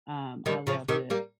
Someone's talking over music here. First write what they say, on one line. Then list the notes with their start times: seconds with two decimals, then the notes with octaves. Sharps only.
Um, I loved it.
0.46 D#3 G3
0.67 C#3 F3
0.88 C3 D#3
1.10 G3 A#3